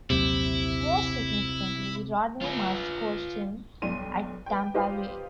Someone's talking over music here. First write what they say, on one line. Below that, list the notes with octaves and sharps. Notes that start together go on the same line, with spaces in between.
More significantly, Rodney Marsh coached him at Tampa Bay.
A#1 D#2 C3 F#3 E4
F4 B4
B1 G2 G5 C6 D#7
B4 G5
D#4 F4 G4 B4 C5 F5